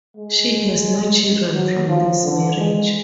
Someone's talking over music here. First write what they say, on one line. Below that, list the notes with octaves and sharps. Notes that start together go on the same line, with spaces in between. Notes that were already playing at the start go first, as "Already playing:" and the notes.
She has no children from this marriage.
G#3
F#3
F3
D3
G#3